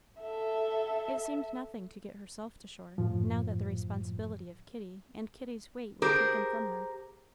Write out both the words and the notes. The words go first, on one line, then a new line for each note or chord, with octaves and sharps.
It seemed nothing to get herself to shore, now that the responsibility of Kitty and Kitty's weight were taken from her.
A4 E5
F#2 A2 F3
G4 G#4 A#4 C5